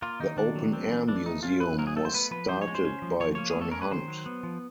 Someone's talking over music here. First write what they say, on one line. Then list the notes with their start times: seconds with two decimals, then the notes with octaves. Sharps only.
The open-air museum was started by John Hunt.
0.02 A#3 F4
0.20 D#3 D#4
0.37 D#3 D4
0.55 F#3
0.73 C4
0.90 E3
1.08 E3 D4
1.25 A3 D#4
1.43 C#4 F4
1.60 F#3 B4
1.78 F#3 A#4
1.87 G#4
1.96 A3 A4
2.05 C5
2.14 B3 B4
2.31 F3 B4
2.49 F3 C5
2.61 C#5
2.67 G#3
2.75 C5
2.84 C#4
3.02 F3
3.20 F3 C#5
3.35 A#3 C#5
3.50 A3 G#4
3.61 A4
3.71 C#4 A#4
3.81 B4
3.91 D#3 C5
4.08 F#3
4.26 B3
4.43 F3